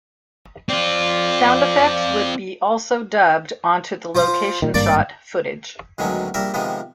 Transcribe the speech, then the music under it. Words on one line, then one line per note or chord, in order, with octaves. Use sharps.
Sound effects would be also dubbed onto the location-shot footage.
C4 F4 D5
F3 C5
A#2 D#3
G#1 G2 A#3 D5
D2 B2 D#3 F#3 G#3 C#4
A#1 G3 A#4 E5
C3 D#3 F3 G#3 B3